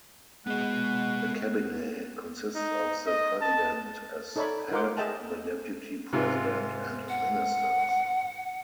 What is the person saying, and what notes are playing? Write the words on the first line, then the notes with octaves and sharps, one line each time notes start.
The Cabinet consists of the President, as head, the Deputy President and ministers.
G#3 B3 D#5 F#5
D#4
D#5
A5
D#4 A4 C#5 D5 E5 B5
D#4 F4 A#4 F#5 C6 D6
G#4 D#5 E5 G5 A5
G#2 C3 F4
F#5